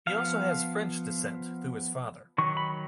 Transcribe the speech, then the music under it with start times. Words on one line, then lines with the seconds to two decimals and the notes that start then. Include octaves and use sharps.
He also has French descent through his father.
0.07 F3 B3 F5
2.38 D#3 F#3 C#6
2.57 B5